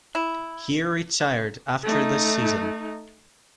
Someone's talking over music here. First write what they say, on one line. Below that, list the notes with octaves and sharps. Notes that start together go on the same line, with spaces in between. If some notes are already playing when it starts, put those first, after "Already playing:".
He retired after the season.
E4
A3 D#4